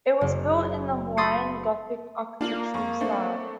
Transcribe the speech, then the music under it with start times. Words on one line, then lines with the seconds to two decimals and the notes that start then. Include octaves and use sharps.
It was built in the Hawaiian Gothic architectural style.
0.21 F#1
1.17 B5 C6 D#6 A6 C7 C#7
2.41 A#3 D4 F4 F#7
2.74 F2 C#6
3.01 A3 C4 D4